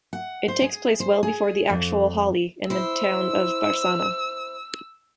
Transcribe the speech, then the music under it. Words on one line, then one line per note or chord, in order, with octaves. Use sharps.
It takes place well before the actual Holi in the town of Barsana.
F#5
C5
G#4
C5
G#4
F2
E4 C5 E6